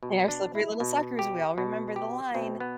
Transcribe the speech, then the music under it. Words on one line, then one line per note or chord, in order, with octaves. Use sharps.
They are slippery little suckers. We all remember the line.
B2
D4
E4
B2
G4
B2
G4
B2 C4
B3